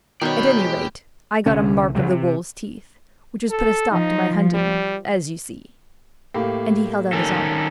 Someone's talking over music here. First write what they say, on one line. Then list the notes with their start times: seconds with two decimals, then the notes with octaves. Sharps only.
"At any rate, I got a mark of the wolves' teeth, which has put a stop to my hunting, as you see," and he held out his arm.
0.21 B2 D#3 C#5 D5 G5
0.59 G#3 G4
1.46 C2 D3 C#4
1.95 C2 C#3 F#3 G3
2.10 C3
3.51 A4
3.91 F3 D#4
4.54 G3
6.34 A2 A#3 G4
7.13 D#3 C#4 A4